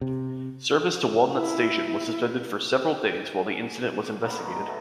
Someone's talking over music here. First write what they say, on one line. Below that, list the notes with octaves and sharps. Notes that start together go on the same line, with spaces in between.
Service to Walnut station was suspended for several days while the incident was investigated.
C3
E4
D6
C#3 G3 A#3 B3
D3 D#3 G#4 C#6
G#3
D#3 F#3 A3 B3